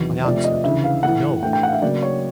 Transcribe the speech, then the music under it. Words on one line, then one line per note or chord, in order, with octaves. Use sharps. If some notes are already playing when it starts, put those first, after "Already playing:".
I answered, No.
Already playing: E2 C3 D#3 F#3
C3 F3 A3 D5
D#5
D2 C#3 E3 E5
F5
A2 E3 A3 F#5
A2 E3 A3 D4 G5
G5
F#5
F5
E5
C#3 F#3 A#3 D5
C#5